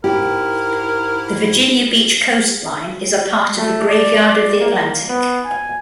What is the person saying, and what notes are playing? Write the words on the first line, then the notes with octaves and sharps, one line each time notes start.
The Virginia Beach coastline is a part of the Graveyard of the Atlantic.
G#2 E4 G4 A#4
A3
D5
D5
A#3
B3
G#5